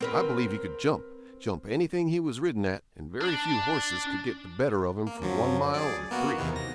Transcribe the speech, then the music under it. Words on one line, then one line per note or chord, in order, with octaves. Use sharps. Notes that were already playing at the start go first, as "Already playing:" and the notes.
I believe he could jump--jump anything he was ridden at, and very few horses could get the better of him for one mile or three.
C4 A#4 B4
D4
A#3
F#2 F3 F#3
G#4 D5
A#3 B3 F#4
E2 C3 D#3
A#6